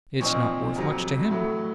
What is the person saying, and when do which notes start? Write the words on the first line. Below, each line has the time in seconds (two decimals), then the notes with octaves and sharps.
It's not worth much to him.
0.20 A#2 F3 C4 D#4 C#6
0.76 F2 C3 F#3
1.30 A2 F#3 A3